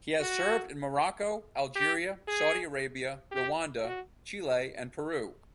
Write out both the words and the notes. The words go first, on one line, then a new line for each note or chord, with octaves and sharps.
He has served in Morocco, Algeria, Saudi Arabia, Rwanda, Chile and Peru.
F#4
G4
G#4
G4
F#4